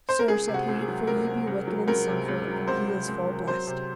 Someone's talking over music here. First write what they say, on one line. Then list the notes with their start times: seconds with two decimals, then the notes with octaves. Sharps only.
Sir, said he, for ye be wicked and sinful, and he is full blessed.
0.09 C5
0.19 A#4
0.28 C#2 G#4
0.48 C3
0.54 F#4
0.68 C#2
0.81 G#4
0.88 F#3
1.07 C#2 A#4
1.27 C3
1.47 C#2
1.67 F#3
1.88 C#2 A#4
2.08 C3
2.28 C#2
2.47 F#3
2.68 C#2 C5
2.88 C3
3.08 C#2
3.28 F#3
3.48 F#3 C5
3.67 C3